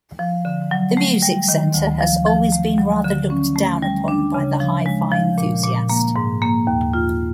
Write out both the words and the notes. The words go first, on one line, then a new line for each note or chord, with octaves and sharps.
The music centre has always been rather looked down upon by the hi-fi enthusiast.
F3
D3
F#3
A3
G3
D#3
D2
F3
F3
A3
F#3
D3
C#4
A3
G3
D4
C#3
F3
G#3
F3
A#2
A#2
A#3
G#2
A#3
D#2
F4